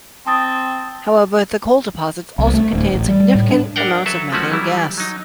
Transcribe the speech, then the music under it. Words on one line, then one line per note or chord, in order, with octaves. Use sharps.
However, the coal deposits also contained significant amounts of methane gas.
C4 A5 D#6 A6
C2
A3
D1
A1
G3
A2
D4
D4 A#4 F#5 G5
F#3 A4 B4 E5
F3 A3 C#4 F#4 B4
E3 F#3 G3 E4
F#3 D#4